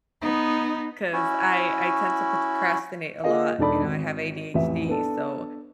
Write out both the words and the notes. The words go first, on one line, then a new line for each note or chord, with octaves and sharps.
'cause I I tend to procrastinate a lot, you know, I have ADHD, so,
B3 D#4
C#4 E4 F#4
A#3 F4 G#4 A#4 D#5 F5
E1 D4 D#4 A4 D5 B5
G#1
A1 F2 E3 E4 E5
B3 D4 A4